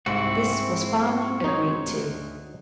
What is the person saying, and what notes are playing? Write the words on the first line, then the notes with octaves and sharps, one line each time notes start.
This was finally agreed to.
C2 G#2 C4 E4 F#4
G#3
F#2 F#3 D#4 C#5
D2